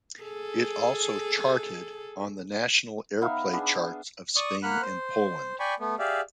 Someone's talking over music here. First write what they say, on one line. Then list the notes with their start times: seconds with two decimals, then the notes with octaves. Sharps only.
It also charted on the national airplay charts of Spain and Poland.
0.23 G#4 A4
3.21 B3 D#4 E5 F5
3.53 B3 D4 G#4
4.36 D5 C#6 D#6
4.63 A#3 F#5 B5 F6 F#6
4.82 C5
5.60 D5 G5 G#5 B5 C#6
5.80 A3 B3
5.99 G4 G#4 D5 E5 F5